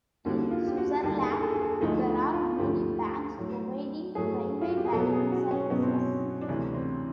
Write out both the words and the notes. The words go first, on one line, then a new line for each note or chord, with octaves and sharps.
In Switzerland, there are many banks providing private banking services.
D#2 D3 G3 A#3 F#4
F4
G4
F#4
D#2 D3 G3 A#3 G4
G#4
G#4
A4
G#4
A4
D2 D3 F3 A3 D#4
F4
D2 D3 F3 A3 G4
A2 F#3 A3
A2 F#3 A3 G#4
F4
F#4
G4
G#4
B2 F#3 B3 A4
G#4
F#4
C#4
B2 F#3 B3 C#4
C4
C#4
D4
D2 C3 E3 C#4
C4